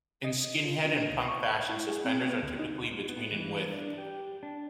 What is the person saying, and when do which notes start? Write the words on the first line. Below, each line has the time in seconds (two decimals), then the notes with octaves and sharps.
In skinhead and punk fashion, suspenders are typically between in width.
0.24 D#5
0.66 F4
0.86 D4
1.10 C2
1.28 C#6
1.69 E4
1.87 G#4
2.05 C4
2.28 B3
2.43 D2
2.59 D#4
3.09 B3
3.32 E3
3.74 D4
3.98 G4
4.43 D4